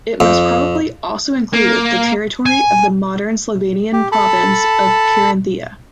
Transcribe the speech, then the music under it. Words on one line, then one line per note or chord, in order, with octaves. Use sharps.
It most probably also included the territory of the modern Slovenian province of Carinthia.
F2
A#3
G#5
G4
A4 A5 B5